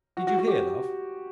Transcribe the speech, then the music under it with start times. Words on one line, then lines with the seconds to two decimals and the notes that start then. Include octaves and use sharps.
Did you hear, love?
0.17 F#4
0.27 F#4
0.38 F#4
0.48 G4